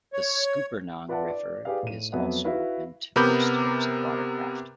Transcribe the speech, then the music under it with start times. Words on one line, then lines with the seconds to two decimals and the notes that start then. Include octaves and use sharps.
The Scuppernong River is also open to most types of watercraft.
0.13 C#5
1.08 F4 B4 D5 E5 F#5 A5
1.30 D5
1.65 G4 G#4 B4 D5 F5
1.83 A2 D#7
2.12 F2 F#3 B3 E5 F#5
2.45 E4 F#4 B4 F5
3.16 C3 B3 A#4 B5 D6 G6